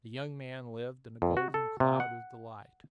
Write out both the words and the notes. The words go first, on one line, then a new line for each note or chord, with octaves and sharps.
The young man lived in a golden cloud of delight.
F2
F#4
A4
C3
F#5